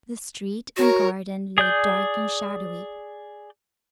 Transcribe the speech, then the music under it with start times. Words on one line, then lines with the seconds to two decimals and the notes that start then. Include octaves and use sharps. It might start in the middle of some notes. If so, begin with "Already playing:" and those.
The street and garden lay dark and shadowy.
0.77 F#4 A#4 C#5
1.58 G#4 D5 G6